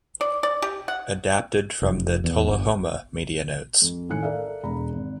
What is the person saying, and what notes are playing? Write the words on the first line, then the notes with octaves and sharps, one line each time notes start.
Adapted from the "Tullahoma" media notes.
D5
D5
G4
F#5
F1
E2
G1
F2
A2 D#3 G#5 F#6 C#7
A4 A#4 D5 E5 F5
E1 A#5 B5
G#1